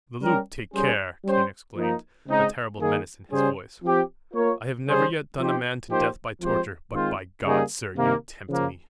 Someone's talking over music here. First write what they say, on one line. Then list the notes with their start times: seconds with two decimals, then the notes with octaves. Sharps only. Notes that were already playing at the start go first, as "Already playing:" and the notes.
"Le Loup, take care!" Kane exclaimed, a terrible menace in his voice, "I have never yet done a man to death by torture, but by God, sir, you tempt me!"
0.21 G3 C#4 G4 A#4
0.73 G3 C#4 G#4 C5
1.24 G3 C#4 G4 C5
1.76 F3 A#3 D#4
2.27 C#3 G#3 C4 D#4
2.80 D#3 A#3 D#4 G#4
3.31 C#3 G3 C#4 G#4 C5
3.83 F3 C4 G4
4.34 A#3 F4 A#4 C#5
4.85 C#3 G3 C#4 G#4 C5
5.38 F3 C4 D#4 G4 C5
5.89 F3 A#3 D#4 G4 C5
6.41 F3 G#3 C4 G4 C5
6.93 D#3 G#3 C4 F4 C5
7.44 C#3 G3 A#3 D#4 G#4
7.96 C3 D#3 A#3
8.47 C#3 F3 A#3